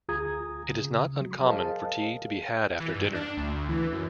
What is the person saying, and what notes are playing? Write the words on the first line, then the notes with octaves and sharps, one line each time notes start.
It is not uncommon for tea to be had after dinner.
D2 F4 G#4 A#5 D#6 G#6
C#3
F#3
G#4 A#4 C5 D#5 F5 A5
E3
G2
D4
D2
E3
F#2